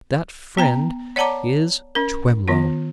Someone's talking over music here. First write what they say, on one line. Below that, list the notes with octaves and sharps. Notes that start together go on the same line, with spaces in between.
That friend is Twemlow.'
B3 G5 A#5
C#5 D5 F#5 A5 A#5 D6
C#4 A#4
D#3 B3 F4